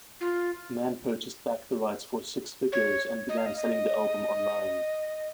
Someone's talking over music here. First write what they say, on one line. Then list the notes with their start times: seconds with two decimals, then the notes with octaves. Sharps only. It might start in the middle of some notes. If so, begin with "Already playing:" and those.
Mann purchased back the rights for "six figures", and began selling the album online.
0.21 F4
2.72 C#5
3.29 D#5
3.38 F5
3.46 D#5
3.57 D#5